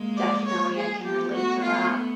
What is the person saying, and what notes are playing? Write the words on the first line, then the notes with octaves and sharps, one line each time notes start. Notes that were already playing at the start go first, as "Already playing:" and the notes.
Definitely I can relate to that.
Already playing: G#3 A#3
D5
C#5
G#4
A3 B3 G4
F#4
F4